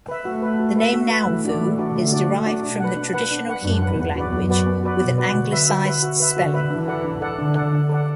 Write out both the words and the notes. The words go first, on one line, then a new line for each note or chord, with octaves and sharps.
The name Nauvoo is derived from the traditional Hebrew language with an anglicized spelling.
B4 E5
A3 F#4
B4 E5
F#4
B4 E5
F#4
B4 E5
E3 A3
D4 F#4 D5
E3 A3
D4 F#4 D5
D3 A3
D4 F#4 D5
A3
D4 F#4 D5
B2 D4
B4 F#5
D4
B4 F#5
D4
B4 F#5
F#2 D4
B4 F#5
E2 B3
F#4 B4 D5
F#2 B3
F#4 B4 D5
B3
F#4 B4 D5
B2 B3
F#4 B4 D5
D3 F#4
B4 E5
F#4
B4 E5
F#4
B4 E5
D3 F#4
B4 E5
E3 D4
A4 D5 F#5
D4
A4 D5 F#5
D3 D4
A4 D5 F#5
D4
A4 D5 F#5